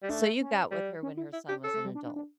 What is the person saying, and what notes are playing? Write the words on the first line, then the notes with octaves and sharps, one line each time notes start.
so you got with her when her son was an adult.
G3
A3 D4
C#4
G3
C#4
E4
E4
D4 G4
C#4 A4
A3
G3
D4
D4
D4